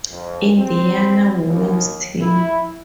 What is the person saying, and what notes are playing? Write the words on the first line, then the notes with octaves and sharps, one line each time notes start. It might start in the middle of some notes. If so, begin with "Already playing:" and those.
Indiana women's team.
F2
C4
D#2
E4